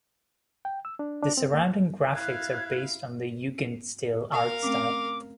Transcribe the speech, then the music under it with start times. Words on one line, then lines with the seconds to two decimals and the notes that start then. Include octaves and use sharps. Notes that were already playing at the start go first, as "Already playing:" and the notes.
The surrounding graphics are based on the Jugendstil artstyle.
0.65 G5
0.85 E6
0.99 D4
1.22 D4
1.37 C4
1.53 A#3
2.14 E4 F5 F#6 G#6
4.32 A#4 F5 C#6
4.63 A3 C4 C#4 D6